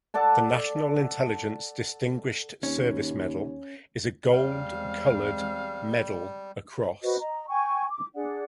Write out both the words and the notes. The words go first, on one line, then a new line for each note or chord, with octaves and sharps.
The National Intelligence Distinguished Service Medal is a gold colored medal across.
A4 D5 F#5 A5
D#2 C#4
E2 G3 G#3 C4 F5
F#4 B4 C5 D#5
D#5 A#5
G5 G#5 C#6
D6
D4 G#4 D5 F#5